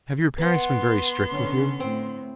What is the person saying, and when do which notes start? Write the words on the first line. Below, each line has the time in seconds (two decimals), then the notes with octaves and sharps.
"Have your parents been very strict with you?"
0.38 B3 B4 F#5 C6
1.31 D3 C#4
1.80 A2 C4